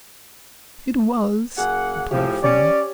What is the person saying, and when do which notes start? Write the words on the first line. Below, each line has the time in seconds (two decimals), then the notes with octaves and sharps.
"It was," replied Fan.
1.58 F#2 A#3 G#4 F#5
2.11 A2 F3 G4
2.43 C#4 C#5 D5 D6